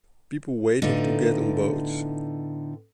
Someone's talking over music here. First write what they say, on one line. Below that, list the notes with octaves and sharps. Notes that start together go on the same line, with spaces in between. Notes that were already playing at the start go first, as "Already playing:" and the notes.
People waiting to get on boats.
A2 D3 B3 D#4 F4